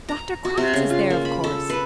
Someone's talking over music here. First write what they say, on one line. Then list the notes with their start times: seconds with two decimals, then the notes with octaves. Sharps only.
Dr. Crofts is there, of course.
0.09 A#5
0.45 F#4
0.57 C3
0.73 C#3
0.90 F4
1.10 A#3
1.25 B5
1.44 A4
1.70 B4